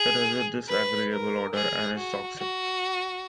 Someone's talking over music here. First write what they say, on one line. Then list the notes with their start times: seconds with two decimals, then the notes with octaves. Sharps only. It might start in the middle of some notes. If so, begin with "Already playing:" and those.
It has a disagreeable odor and is toxic.
Already playing: G#4
0.69 B4
1.12 A#4
1.54 G#4
1.97 F#4
2.38 F#4